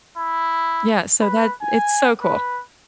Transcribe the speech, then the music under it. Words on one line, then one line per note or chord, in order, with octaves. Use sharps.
Yeah. So that it's so cool.
E4
B4
G#5
B4